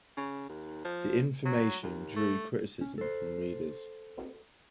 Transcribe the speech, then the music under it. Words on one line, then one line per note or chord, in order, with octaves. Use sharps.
The information drew criticism from readers.
C#3
D#2
F3
F#3
D#2
A3
C#4
A4 C5